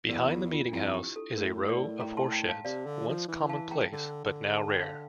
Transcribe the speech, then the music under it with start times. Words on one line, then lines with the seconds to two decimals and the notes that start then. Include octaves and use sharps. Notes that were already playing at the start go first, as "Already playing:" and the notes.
Behind the meetinghouse is a row of horse sheds, once commonplace but now rare.
0.08 E2 A#4 D5
0.31 F4
0.52 F4
0.69 D4
0.73 F2 E4
0.95 G4
1.16 A4
1.37 A2 A#4
1.69 A#4 D5
2.00 G5 A#5
2.17 A5 C6
2.32 G5 A#5
2.48 F5 A5
2.65 C3 D5 F5
2.86 D3
3.07 F3
3.28 E3
3.49 F5 A5
3.71 G5 A#5
3.92 D3
4.24 D3
4.56 A5
4.70 G5
4.82 F5